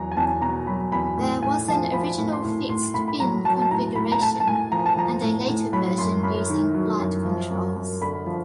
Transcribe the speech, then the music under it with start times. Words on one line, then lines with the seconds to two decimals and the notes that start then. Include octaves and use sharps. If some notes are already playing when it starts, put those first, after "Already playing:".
There was an original fixed-fin configuration and a later version using flight controls.
Already playing: E2 F#3 A#5
0.12 G#5
0.17 E2 A5
0.41 B2 A#5
0.67 F#3 B5
0.92 E2 B5
1.18 A2
1.42 A2 G#5
1.68 F3 A5
1.93 F3 B5
2.18 A2
2.32 C6
2.44 A2
2.69 A2 C6
2.94 A2 B5
3.08 B5
3.20 F#3 A#5
3.45 F#3 A5
3.62 A5
3.71 A2 A#5
3.95 A2 B5
4.12 A#5
4.21 A2 A5
4.40 A5
4.47 A2 G#5
4.72 F3 A#5
4.86 A5
4.97 F3 A#5
5.22 A2
5.48 A2
5.73 F#3 B5
5.98 F#2 C6
6.23 F#2 B5
6.50 D#3
6.74 F#3
7.00 F#2
7.25 F3
7.51 F#2
7.76 F#2
8.01 D3 B5
8.26 F3